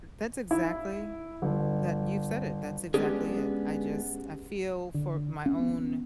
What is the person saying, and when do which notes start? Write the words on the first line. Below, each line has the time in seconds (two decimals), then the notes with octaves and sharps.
Th that's exactly m that you've said it, that's exactly it, I just I feel for my own,
0.51 E4
1.42 G1
2.94 G#3 B3 C#4 D4 G4 G#4
4.94 D3
5.46 C#4
5.59 B3